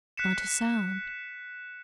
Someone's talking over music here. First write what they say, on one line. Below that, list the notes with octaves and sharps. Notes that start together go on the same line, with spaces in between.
Not a sound.
F#6 B6 C#7 E7